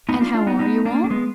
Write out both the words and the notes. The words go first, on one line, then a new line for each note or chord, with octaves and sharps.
'And how are you all?
B3 D#4
D4 F4
D4 F4
B3 D#4
B3 D#4
A#3 D4
D4
G#3 B3